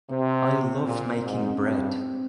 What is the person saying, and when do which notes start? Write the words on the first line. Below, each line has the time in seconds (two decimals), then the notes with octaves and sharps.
I love making bread.
0.11 C3 C4
0.86 A#2
1.25 G#2
1.54 C#4
1.63 G2 C4